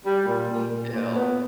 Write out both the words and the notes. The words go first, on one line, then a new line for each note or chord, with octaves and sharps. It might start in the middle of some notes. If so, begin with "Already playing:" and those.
Me too.
G3
A#2
A#2
A#2
A#2
B3